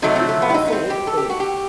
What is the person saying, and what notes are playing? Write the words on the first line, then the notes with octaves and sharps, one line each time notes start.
It has a red tail.
C3 F#3 A3 D#4
C4
A3
B3
E4
D#4
B3
C4
G4
A4
G4
F#4
G4